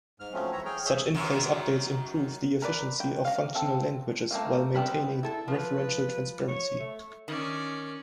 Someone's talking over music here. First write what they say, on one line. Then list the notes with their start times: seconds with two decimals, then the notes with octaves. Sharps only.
Such in-place updates improve the efficiency of functional languages while maintaining referential transparency.
0.20 G#2 F6
0.33 F3 F#3 A3 C4 C#4
0.52 E3 C#5 E5 A#5
0.66 G#4 C#5 G5 F6
0.85 G#4 C#5 E5 G#5 G6
1.14 F#2 D#3 F#3
2.62 A#4 B4 D5
3.00 G5
3.25 F5 A#5
3.55 C4 A4 F5
4.31 A3 A#3 C4 F4
4.75 G3 B3 C4 A#4 B5
5.23 E4 A4
5.48 F3 B4
6.48 C#5
6.80 A3
7.28 D#3 C#4 D5